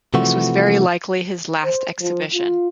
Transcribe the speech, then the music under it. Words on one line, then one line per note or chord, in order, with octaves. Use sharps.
This was very likely his last exhibition.
C3 E3 F3 A3 F#4
C5
F3
F4